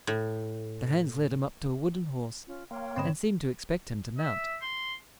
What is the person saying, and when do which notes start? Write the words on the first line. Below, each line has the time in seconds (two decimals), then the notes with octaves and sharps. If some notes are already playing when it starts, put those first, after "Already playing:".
The hands led him up to a wooden horse, and seemed to expect him to mount.
0.07 A2
2.47 C#4 F4
2.71 A#3 C#5 G5 C6
2.96 G#2 D3 C4 B4 D#5 E7
4.18 E5
4.62 C6